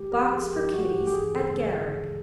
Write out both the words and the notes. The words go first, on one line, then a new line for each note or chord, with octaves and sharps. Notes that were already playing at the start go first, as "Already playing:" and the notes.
'Box for kiddies at Garrick.
Already playing: D#3 G#3 G4
F3 A#4
F3 G#4
G2 G4
G3 F#4
G2 G4
G4
E3 G#4
C#3 A4
G#3 A4